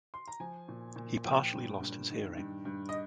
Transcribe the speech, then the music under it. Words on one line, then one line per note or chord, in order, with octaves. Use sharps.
He partially lost his hearing.
C6
A#5
F3 G#5
A#2
A#2
F3 G5
G2
G2
D#3
G2
G2
D#5